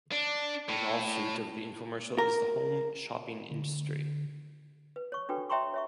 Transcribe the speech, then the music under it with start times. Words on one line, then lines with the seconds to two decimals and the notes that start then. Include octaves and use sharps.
An offshoot of the infomercial is the home shopping industry.
0.12 D4
0.69 A2
2.18 A#4
3.51 D3
4.96 B4
5.12 C#5 C#6
5.29 D4 F#4 A4 B4 G5
5.49 C#5 E5 G5 A#5 C6 C#6
5.74 C#5 E5 C#6